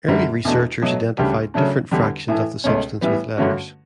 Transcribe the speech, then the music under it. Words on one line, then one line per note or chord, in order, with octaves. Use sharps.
Early researchers identified different fractions of the substance with letters.
F#2 D3 G3
E2 B2 A3 D4 F#4
B2 F#3 A3
D2 C#3 G3 D4 G4
C#3 F#3 A3 D4
E2 D3 G3 D4 G4
A2 E3 A3
C#2 B2 A3 C#4
A2 E3 G3 B3
G2 D3 A3 C#4 F#4